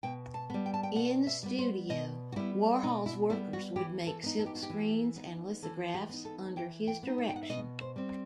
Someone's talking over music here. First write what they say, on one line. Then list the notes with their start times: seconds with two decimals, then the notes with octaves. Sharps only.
In the studio, Warhol's workers would make silkscreens and lithographs under his direction.
0.03 B2 G5
0.34 A5
0.50 G3 B3
0.66 G5
0.74 A5
0.83 G5
0.96 B2 F#5
1.27 E5
1.43 G3 B3
1.59 C5
1.89 B2 D#5
2.32 F#4
2.36 G3 B3 E4
2.83 B2 D#4
3.06 E4
3.30 G3 B3 E4
3.53 F#4
3.76 E3 G4
4.07 A4
4.23 B3 D#4
4.39 A4
4.46 G4
4.55 F#4
4.63 G4
4.70 E3
5.16 B3 D#4
5.62 E3 A4
5.94 G4
6.09 B3 D#4
6.25 A4
6.56 E3 G5
6.87 G5
7.03 B3 D#4
7.18 E5
7.29 G5
7.36 F#5
7.43 E5
7.49 B2 D#5
7.81 C5
7.96 G3 C4